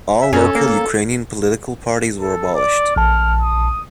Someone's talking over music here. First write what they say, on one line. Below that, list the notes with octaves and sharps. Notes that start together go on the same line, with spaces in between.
All local Ukrainian political parties were abolished.
E5
F#2 C#4 A4
A#3
A4
D5
A#1 A5 F6
D#6